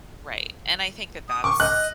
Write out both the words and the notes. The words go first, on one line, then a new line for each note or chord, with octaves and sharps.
Right, and I think that that's
D#6
C#6 D6
D#5 F#6